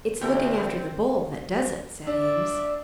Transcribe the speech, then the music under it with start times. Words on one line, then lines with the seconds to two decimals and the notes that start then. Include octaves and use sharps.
"It's looking after the bull that does it," said Eames.
0.21 D2 C4 G4 A4 G5
2.07 D4 D5 E5